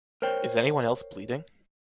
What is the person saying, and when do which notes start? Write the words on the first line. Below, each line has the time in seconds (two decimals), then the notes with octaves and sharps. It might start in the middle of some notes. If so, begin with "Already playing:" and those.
Is anyone else bleeding?
0.22 A#4 C5 C#5 G5